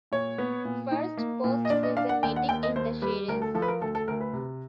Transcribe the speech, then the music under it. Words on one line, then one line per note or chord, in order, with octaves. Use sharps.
First postseason meeting in the series.
A#2 C#5
B3
A#2
D#4
A#3
A#2
D#5
D4 D5
D#5
D4 F5
F#5
D#2 G5
F#5
D#2 G5
D#5
D#2 C5
G3 B4
D2 A#4
A4
F3 A4
B4
A#4
D2 A4
A4
D2 A#4
B4
C3